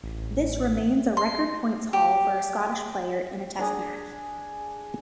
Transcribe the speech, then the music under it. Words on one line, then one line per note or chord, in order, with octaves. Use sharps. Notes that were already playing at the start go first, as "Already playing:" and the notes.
This remains a record points haul for a Scottish player in a test match.
A1
C6
G4
D4 G#4 D#6